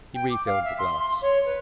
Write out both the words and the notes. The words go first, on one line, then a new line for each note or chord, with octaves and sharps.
He refilled the glass.
G5
D6
F5
E5
C6
C6
C#5
B4